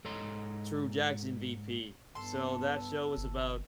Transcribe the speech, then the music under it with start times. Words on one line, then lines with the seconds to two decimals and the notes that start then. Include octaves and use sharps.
True Jackson, VP, so that show is about
0.05 G#2 A4 C#5 D#5 A#5 C6
2.15 G2 B3 A4 C6
3.17 G1